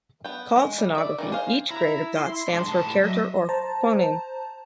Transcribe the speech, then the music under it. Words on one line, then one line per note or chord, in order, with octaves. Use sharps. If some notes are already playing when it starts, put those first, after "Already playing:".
Called "sonography", each grid of dots stands for a character or phoneme.
B3 G5
G#3
G3
D5 E5
D#3 E3 D5
G#4 C5 F5
E4 A#5
C6
G#3 D4
A2 D#4 A5
F#3 D#5 E5
C5 A5 A#5